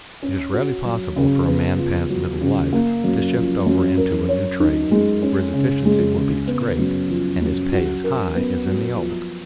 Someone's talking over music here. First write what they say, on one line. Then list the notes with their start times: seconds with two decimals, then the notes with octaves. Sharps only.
It is rarely possible for a man past middle life to shift over into a new trade where his efficiency will be as great and his pay as high as in the old.
0.22 C#4
0.53 F#4
0.85 F#3
1.16 C#3
1.48 B3
1.79 F4
2.10 F#3
2.41 C#3
2.73 A#3
3.04 F#2
3.35 F3
3.66 F#2
3.97 A#4
4.29 C#5
4.60 D#4
4.91 G#3
5.22 C#4
5.54 C#3
5.85 G#3
6.16 C#3
6.47 B3
6.79 F#2
7.10 F3
7.42 F#2
7.73 F#4
8.04 A#4
8.35 B3
8.66 F#3
8.98 F3